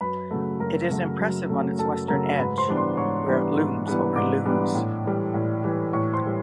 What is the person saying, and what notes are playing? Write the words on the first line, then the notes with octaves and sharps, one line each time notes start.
It is impressive on its western edge, where it looms over Lewes.
F#2 B4 B5
C#3 F#3 A3
F#2 A#4 A#5
C#3 F#3 A3
F#2
C#3 F#3 A3
F#2 A4 A5
C#3 F#3 A3 A#4 A#5
G#2 B4 B5
C5 C6
E3 G3 B3 D4
C5 C6
G#2 C#5 C#6
E3 G3 B3 D4
G#2
E3 G3 B3 D4
G#2 D5 D6
E3 G3 B3 D4
A2
E3 G3
A2
E3 G3
A2 C#5 C#6
C5 C6
E3 G3